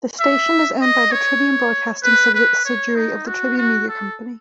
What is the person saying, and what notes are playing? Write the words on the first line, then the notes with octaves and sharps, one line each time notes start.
The station is owned by the Tribune Broadcasting subsidiary of the Tribune Media Company.
E5
D#5
C#5
B4
B4
C#5
D#4
F#4
F#4
A4